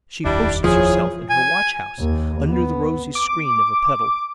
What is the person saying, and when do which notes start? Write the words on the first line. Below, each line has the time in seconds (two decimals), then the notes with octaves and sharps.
She posts herself in her watch-house, under the rosy screen of a petal.
0.25 F1 D#2 G3 D4 E4
0.64 F3 E4 F4 G#4 C#5
1.29 G#5
2.00 D#2
2.50 B3
3.15 D6